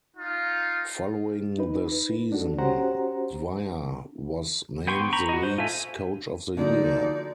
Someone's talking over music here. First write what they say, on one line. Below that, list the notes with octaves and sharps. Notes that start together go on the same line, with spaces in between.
Following the season, Dwyer was named the league's coach of the year.
D#4 F4
D#4 B4
D4 F#4 A4
C#4 F#4 G4 C5 F#5 A#5
B3 G5 C6 C#6
A#5 B5 C#6
F#4 D#5
C5
F4 A4 E5 G#5
D3 F3 F#3 G#3 A#3 D#4 D5